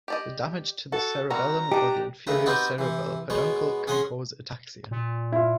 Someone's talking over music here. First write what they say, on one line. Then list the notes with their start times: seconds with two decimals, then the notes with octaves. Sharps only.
The damage to the cerebellum or the inferior cerebellar peduncle can cause ataxia.
0.08 G4 D5 D#5
0.92 F#4 A4
1.30 G3 C4 F#4 A#5
1.72 D4 D#4 G4
2.27 D#2 A2 C#3 B4 A#5
2.46 B3 C4 D#4 F#4 G4 B4
2.78 C3 E3
3.30 B2 G#3 B3 C#5
3.87 C#4 G#4 F#5 G#5 A#5 C6
4.91 A#2
5.32 E4 F4